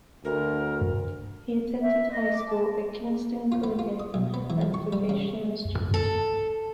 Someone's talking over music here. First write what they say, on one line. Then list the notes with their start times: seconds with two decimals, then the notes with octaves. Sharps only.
He attended high school at Kingston Collegiate and Vocational Institute.
0.24 D2 A#4
1.79 E5
2.09 D#5
2.33 D6
2.47 A5
3.52 F4
3.64 B3
3.79 F4
4.00 D#6
4.14 B1
4.34 B3
4.50 E3
4.61 F2
4.74 C#6
4.93 G3
5.09 C#3
5.94 A4